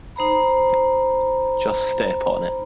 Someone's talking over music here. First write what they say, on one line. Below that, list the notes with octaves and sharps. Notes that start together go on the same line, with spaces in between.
Just step on it.
D#4 C5 A#5 B5